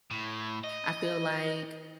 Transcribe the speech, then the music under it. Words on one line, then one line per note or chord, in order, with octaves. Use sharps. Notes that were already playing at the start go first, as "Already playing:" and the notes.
I feel, like,
A2
D#5